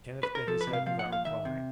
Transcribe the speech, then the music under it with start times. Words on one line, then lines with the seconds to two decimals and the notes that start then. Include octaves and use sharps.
Kenneth bent his head without replying.
0.23 B4
0.35 A#4
0.47 F3 A4
0.61 B4
0.67 C3
0.73 F5
0.86 F3 F5
0.99 F#5
1.06 A#2
1.12 F5
1.25 D#3 E5
1.45 C3